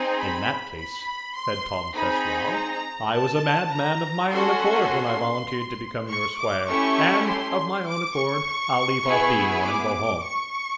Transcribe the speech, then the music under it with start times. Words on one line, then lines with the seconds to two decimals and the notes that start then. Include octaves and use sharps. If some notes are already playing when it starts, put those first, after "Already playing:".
"In that case," said Tom Cecial, "I was a madman of my own accord when I volunteered to become your squire, and, of my own accord, I'll leave off being one and go home."
Already playing: C4 D#4 G#4
0.18 B5
0.77 B5
1.36 C6
1.95 C4 D#4 G#4 B5
2.54 A#5
3.14 A5
3.73 A#5
4.32 C#4 F#4 A4 C6
6.09 C#6
6.38 D6
6.68 A3 C#4 E4 G4 C#6
7.28 C6
7.87 D6
8.15 C#6
9.05 B3 E4 G#4
9.64 D6
10.23 C#6